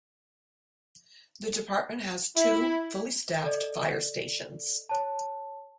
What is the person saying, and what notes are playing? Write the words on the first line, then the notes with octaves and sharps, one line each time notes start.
The department has two fully staffed fire stations.
E4
A4 D5 D#5
C#5 A5